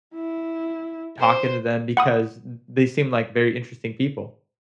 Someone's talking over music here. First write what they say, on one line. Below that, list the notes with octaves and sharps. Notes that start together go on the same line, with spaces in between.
talking to them because they seem like very interesting people.
E4
C5
F#5 B5 D#6